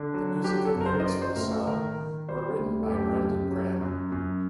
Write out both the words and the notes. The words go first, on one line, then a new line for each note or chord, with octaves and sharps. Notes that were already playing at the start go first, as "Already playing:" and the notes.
The music and lyrics for the song were written by Brendan Graham.
Already playing: D3
F#3
F#3 G4
A4
F#2
A#4
C5
D#5
F#3 D5
C5
A2 A#4
A4
D#3 A#4
D#3
G3 C5
D2
A4
F#2 G4
F#2
F#3
F#2
F#2